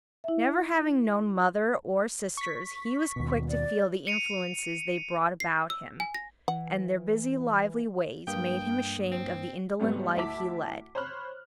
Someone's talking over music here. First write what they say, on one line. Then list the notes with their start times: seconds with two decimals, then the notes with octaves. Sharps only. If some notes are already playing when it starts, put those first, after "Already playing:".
Never having known mother or sisters, he was quick to feel the influences they brought about him, and their busy, lively ways made him ashamed of the indolent life he led.
0.24 E4 E5
2.37 C#6 B6
3.16 D#2 B2
3.49 D5
4.07 C#7 D#7 F7
5.40 C7
5.70 E6
6.00 G#5
6.14 A#6
6.48 E3 F#5
8.27 G2 A#3 G5 D#6
9.12 C4
9.80 G#2 G3 A3 B3
10.16 D2 E4 E5 A5 D6 B6
10.95 C5 C#5 B5 F6 F#6